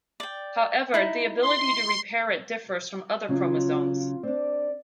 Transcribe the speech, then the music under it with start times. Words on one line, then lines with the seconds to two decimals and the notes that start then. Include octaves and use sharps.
However, the ability to repair it differs from other chromosomes.
0.20 D5 G5
0.94 D#4 E4
1.42 C6
3.28 C#3 F#3 C#4 F4
4.23 C4 D4 D5